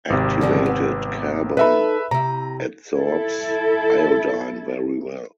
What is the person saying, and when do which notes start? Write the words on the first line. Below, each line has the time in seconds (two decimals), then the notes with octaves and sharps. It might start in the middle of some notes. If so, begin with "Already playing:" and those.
Activated carbon adsorbs iodine very well.
0.10 G#1 C3
0.41 D3 F3 G3
0.66 B3
1.57 D#4 A4 B4 E5 B5
2.11 C3 E4 A#5
2.96 E4 A4